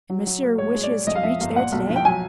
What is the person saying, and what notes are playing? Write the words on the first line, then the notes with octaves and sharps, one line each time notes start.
"And Monsieur wishes to reach there to-day?"
F#3
F#3
A#3
A2 C#5
G#3
D5
G#3
F2 D#5
F5
F3 E5
G1 F5
A#2 F#5
B1
F3
G5
F#3 G#5